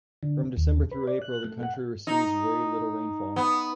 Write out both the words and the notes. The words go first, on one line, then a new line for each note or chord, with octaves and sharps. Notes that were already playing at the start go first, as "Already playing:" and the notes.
From December through April, the country receives very little rainfall.
D3
D#2
B4
D5
F#6
A3
F#5
D#4
B3